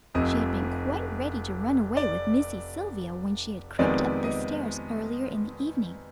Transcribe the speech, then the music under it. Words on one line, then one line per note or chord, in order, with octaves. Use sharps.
She had been quite ready to run away with Missy Sylvia when she had crept up the stairs earlier in the evening.
F1 F2 C3 D#5
D5
F2 C3 D#3 G#3 B3 D5
D#5